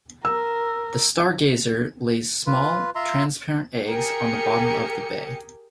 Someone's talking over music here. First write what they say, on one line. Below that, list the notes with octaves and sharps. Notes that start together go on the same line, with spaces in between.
The stargazer lays small, transparent eggs on the bottom of the bay.
A#4 E6
F4 B4
F4 E5 A#5 C6
G4 G#4 A#4 G5 C#7